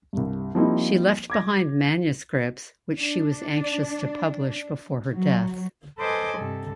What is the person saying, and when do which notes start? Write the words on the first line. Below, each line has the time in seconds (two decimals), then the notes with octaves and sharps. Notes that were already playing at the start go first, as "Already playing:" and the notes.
She left behind manuscripts which she was anxious to publish before her death.
0.13 C2 G2
0.55 F3 G3 A#3 C4 D#4 E4
1.30 D6 G#6 A#6
2.98 D4
5.13 F#3
5.97 A4 B4 C5 D#5 G#5 D6
6.35 G2 C3 A4